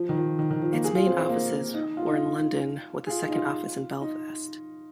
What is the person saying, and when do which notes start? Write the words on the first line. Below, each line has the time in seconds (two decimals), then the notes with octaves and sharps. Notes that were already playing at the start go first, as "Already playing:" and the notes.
Its main offices were in London, with a second office Belfast.
Already playing: F3
0.09 D#3
0.17 F3
0.39 D#3
0.51 D#3
0.62 F3
0.73 A#3
0.84 G#4
0.95 F4
1.07 C4
1.19 C4
1.29 A#3
1.74 D#4
1.97 F4
2.06 D#4
2.15 F4
3.07 G#4
3.10 F4
3.29 D#4
3.33 F4
4.01 D#4